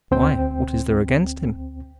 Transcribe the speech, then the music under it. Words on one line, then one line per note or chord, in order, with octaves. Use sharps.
"Why, what is there against him?"
D2 C4 C5 G5